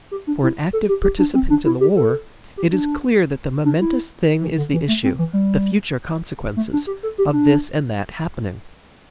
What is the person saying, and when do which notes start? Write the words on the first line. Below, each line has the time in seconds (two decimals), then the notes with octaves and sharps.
For an active participant in the war, it is clear that the momentous thing is the issue, the future consequences, of this and that happening.
0.11 G4
0.27 D4
0.43 E4
0.73 A4
0.89 G4
1.03 G4
1.19 D4
1.34 C4
1.50 D4
1.65 E4
1.81 G4
1.97 A4
2.57 G4
2.72 D4
3.65 D4
3.81 E4
4.42 E3
4.57 D3
4.73 E3
4.88 A3
5.04 C4
5.19 E3
5.33 G3
6.57 A3
6.73 D4
6.87 G4
7.03 A4
7.18 G4
7.33 D4